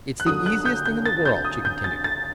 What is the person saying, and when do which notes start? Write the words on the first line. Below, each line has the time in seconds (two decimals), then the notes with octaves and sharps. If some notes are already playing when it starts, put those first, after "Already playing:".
"It's the easiest thing in the world," she continued.
0.20 F#6
0.26 D#2 D3 F#3 D#6
0.46 F#6
0.65 G6
0.86 G6
1.06 A6
1.25 G6
1.45 D#6
1.65 G6
1.84 A6
2.04 A6